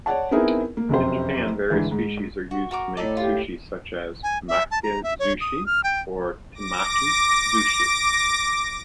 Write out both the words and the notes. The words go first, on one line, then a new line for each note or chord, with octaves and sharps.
In Japan, various species are used to make sushi such as "maki-zushi" or "temaki-zushi".
C#5 D5 F#5 A5
B3 C4 D#4 E4 G#4 A#4
A#3
F1 F#2 C3 C5
G#2 D3 E3
G#2
F#4
F#4 A#4 D6
A2 D#4 A4 D5
F4 G4
G#5
E5
A5
A#5
E5
C#5
D#6
F6
G5
D6 A#6